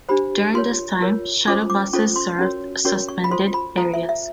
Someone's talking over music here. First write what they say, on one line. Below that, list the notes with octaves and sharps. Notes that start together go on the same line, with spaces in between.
During this time, shuttle buses served suspended areas.
D4 G4 C5 B5
F4 A#4 C#5 C6
F4 A#4 C#5
C#4 F4 A4 C5 D6
D6
C#4 F4 A4 C5 C#6
C6
C#4 F#4 A#4 C#5
C#4 F#4 A#4 C#5 C#6
C#6
B5
F4 A4 C5 C6
B5
F4 A4 C5 A#5
E5
E5